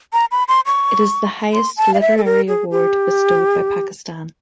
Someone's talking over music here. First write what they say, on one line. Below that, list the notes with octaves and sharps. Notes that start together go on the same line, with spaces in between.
It is the highest literary award bestowed by Pakistan.
A#5
B5
C6
C#6
C6
A5
F5
E5
A4
A#4
G#4
G4